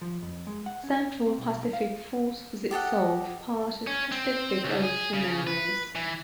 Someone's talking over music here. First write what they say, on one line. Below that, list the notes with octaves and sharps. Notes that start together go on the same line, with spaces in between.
Central Pacific Force was itself part of Pacific Ocean Areas.
F3
F2
G#3
F#5
C#4
C4
B1
F5
G4 A4 D#5 F#5
C#4
C4
C#2
G#4
C#3
B4
E3